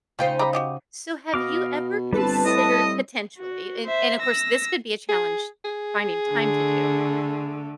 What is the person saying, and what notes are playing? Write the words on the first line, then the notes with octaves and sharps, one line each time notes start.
Okay. So have you ever considered, potentially and and of course, this could be a challenge finding time to do.
C#3 D#4 F4 C5 G5
G4 A#5 B5
F#4 G4 D#5
B2 D#5 F5 D6
G1 G3 C4 B4 A5
A2 D#5
F#4
C5 E5
E6 A#6
G#4
G#4
D3 A3